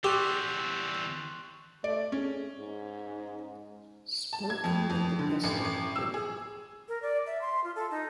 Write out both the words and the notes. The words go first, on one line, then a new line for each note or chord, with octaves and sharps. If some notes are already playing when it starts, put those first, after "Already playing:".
Spoken like the best of women!
E2 G3 G4 C6 C#6 E6 F#6
A3 D5
C#4 G#4
G#2
A5
G#6
F2
F2
D3
A1
A1
E6
G#4
A#4
D5
E5
C6
F4
A4
D#4